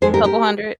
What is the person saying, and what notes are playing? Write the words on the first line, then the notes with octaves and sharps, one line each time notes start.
couple hundred.
F2 D#3 G#3 G#4 C5
G4 A#4
G4 A#4